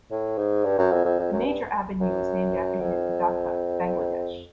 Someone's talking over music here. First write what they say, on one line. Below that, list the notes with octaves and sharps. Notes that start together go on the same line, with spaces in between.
A major Avenue is named after him in Dhaka, Bangladesh.
A2
G#2
G2
F#2
F2
F2
F2
F#2
G2
F#2
F2